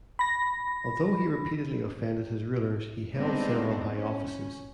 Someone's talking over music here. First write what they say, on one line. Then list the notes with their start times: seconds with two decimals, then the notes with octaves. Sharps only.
Although he repeatedly offended his rulers, he held several high offices.
0.19 B5 A#6
3.13 G3 G#3 B3 C4 D4 D#4
3.90 C#4